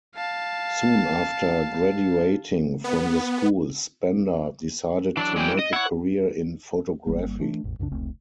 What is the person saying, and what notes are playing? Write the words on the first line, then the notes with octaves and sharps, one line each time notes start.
Soon after graduating from the school Spender decided to make a career in photography.
F5 A5
B3
E3 F#3 D4 D5
G#3 G#4 G5
D#5
E4 C#5 F#5
G1 G3 A#3
E3 A3 B3 D4
A1 E2
C2 F#2 C#3 D4
F1 C#2 A3 C4